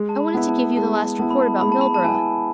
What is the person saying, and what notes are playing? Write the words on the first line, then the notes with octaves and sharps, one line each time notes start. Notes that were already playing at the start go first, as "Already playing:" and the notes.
"I wanted to give you the last report about Milburgh."
Already playing: G#3
A5
B5
B3 E4
A5
G#3 A5
B3 E4 A5
B5
A5
G#3 B5
A5
B5
A5
B3 E4 G#5